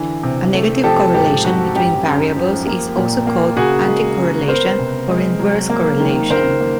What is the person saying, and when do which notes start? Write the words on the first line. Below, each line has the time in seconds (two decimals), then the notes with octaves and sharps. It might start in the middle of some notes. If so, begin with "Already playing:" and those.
A negative correlation between variables is also called anticorrelation or inverse correlation.
Already playing: D3 E3
0.23 C3
0.54 A3
0.84 F3 G4 A4
1.14 G#2 G4
1.44 G#2 F#4
1.75 F#2 G4
2.06 F#2
2.36 F3
2.66 A#3
2.97 A#2
3.27 A#3
3.57 C#3 F#4 G#4
3.88 G#3
4.18 C#3
4.48 B3 A#4 C5
4.79 C3
5.09 G#3
5.39 F#3
5.69 A#3
6.00 D#3
6.30 C#2 A#4 C5
6.60 A#3